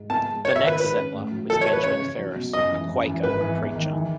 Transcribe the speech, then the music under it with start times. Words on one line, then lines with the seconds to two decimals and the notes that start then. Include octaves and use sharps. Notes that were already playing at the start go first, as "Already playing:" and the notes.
The next settler was Benjamin Ferris, a Quaker preacher.
Already playing: G#2
0.09 B3 A5
0.27 G#3
0.44 G#2 C#5
0.56 E5
0.62 D#3
0.67 B4
0.80 G#3 B4
0.97 C#4
1.14 A2
1.31 F#3
1.49 E3 A4
1.61 C#5
1.67 E3
1.73 B4
1.83 C#3 C#5
2.02 C#3
2.19 F#3
2.36 B2
2.53 F#2 D#5
2.71 E3
2.89 F#2
3.06 E3
3.23 G#1 B4
3.41 E3
3.58 E2
3.75 D#3
3.93 E3